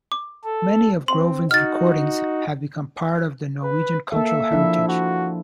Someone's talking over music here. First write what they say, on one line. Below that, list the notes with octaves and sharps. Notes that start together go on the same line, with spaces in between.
Many of Groven's recordings have become part of the Norwegian cultural heritage.
D6
A4
C4 C6
D#4 F#4 F6 A6
B4
A#3 A4 E5
F3 D4 E4
F#4